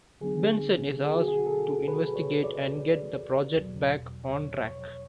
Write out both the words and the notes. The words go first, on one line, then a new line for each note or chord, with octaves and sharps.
Benson is asked to investigate and get the project back on track.
D3 F#3 B3 D4 G#4
G#4
F#4
G#4
A4
B4
C#5
D5
E2 B2 F#3
C#5
C#5